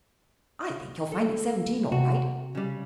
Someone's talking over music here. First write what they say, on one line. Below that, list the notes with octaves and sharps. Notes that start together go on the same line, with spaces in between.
I think you'll find it's seventeen all right.
A4
C3 F#4
C#3 G3